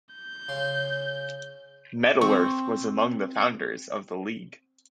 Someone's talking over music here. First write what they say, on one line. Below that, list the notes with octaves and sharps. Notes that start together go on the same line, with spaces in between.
Metalurh was among the founders of the League.
G6
C#3 C6
C4 C#6